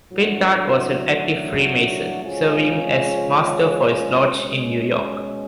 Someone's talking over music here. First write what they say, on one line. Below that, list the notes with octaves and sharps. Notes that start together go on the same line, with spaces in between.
Pintard was an active Freemason, serving as Master for his Lodge in New York.
A2 F#3 A3 D4 F#4
C#3 F3 G#3 C#4
B2 G#3 C#4